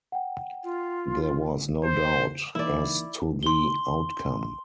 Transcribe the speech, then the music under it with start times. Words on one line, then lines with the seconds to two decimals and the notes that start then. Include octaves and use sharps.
There was no doubt as to the outcome.
0.12 F#5 G5
0.64 F4
1.84 C5
2.55 E3 A#3 D#4 E4 D5
3.43 C6 G7